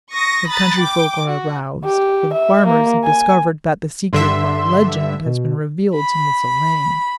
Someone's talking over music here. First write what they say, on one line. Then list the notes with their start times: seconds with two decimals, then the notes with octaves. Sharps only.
The country folk are aroused; the farmers have discovered that the secret of our legend has been revealed to Miss Elaine.
0.13 C#6 D#6 A#6
0.48 A#5 B5 D#6 F#6 A6
0.77 G5 D6
1.26 F#4
1.84 G4
2.33 E5
2.67 A#3
3.04 G#5
4.13 G2 D3 E5 C6
5.26 B2
5.95 B5